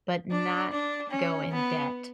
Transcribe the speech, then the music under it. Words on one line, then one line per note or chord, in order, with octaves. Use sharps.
but not go in debt
D4
D4
C#4
B3